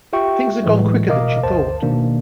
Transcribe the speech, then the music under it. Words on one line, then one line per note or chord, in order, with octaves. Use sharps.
Things had gone quicker than she thought.
F4 G4 E5 G5 C#6
A2 E3 F#3 G#3 A3
G1 B2 A#4 D#5 F5 D6
G1 D2 C5 A5
B2 D#3 A#3 D4